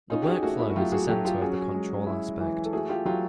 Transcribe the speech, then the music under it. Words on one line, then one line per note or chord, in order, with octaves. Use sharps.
The workflow is the center of the control aspect.
C#4 D#4 F4
G4
F#4 G#4
A3 F#4 G#4
E4 F#4
F#4
F#3 F4 G4
F#4 G#4
F#3 G4 A4
F4 G4
C#4 F#4 G#4
G#3
E4
E3
A4
A3 F#4 G#4
F4 G4
F#3 F4 G4